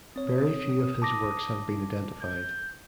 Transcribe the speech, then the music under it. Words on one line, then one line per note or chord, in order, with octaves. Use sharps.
Very few of his works have been identified.
C4 C#5 D#6
A5 D6 A#6
G6